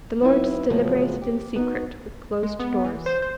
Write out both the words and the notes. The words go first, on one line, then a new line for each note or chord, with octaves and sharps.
The Lords deliberated in secret, with closed doors.
F#3 C4 D#4 E4 B4
A2 C#3 F3 F#3 G#3 B3
G4
B3 D#4 F#4
G#3
B3
E3
C5
C5